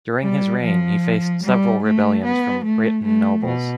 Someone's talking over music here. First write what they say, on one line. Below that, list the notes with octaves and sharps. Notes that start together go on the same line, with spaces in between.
During his reign he faced several rebellions from Breton nobles.
G3
F3
G3
A3
B3
A3
A3
B2